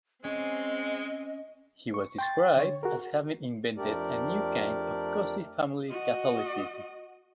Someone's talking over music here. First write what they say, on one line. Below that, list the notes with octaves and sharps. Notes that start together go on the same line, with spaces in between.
He was described as having invented a new kind of cosy family Catholicism.
G#3 C4 C#4 D#5
C#6
G5 C6 A6
D3 C#5
F#4 G#4 A#4
F2 A3 D4 G4 A#4 D5
F#4 D#5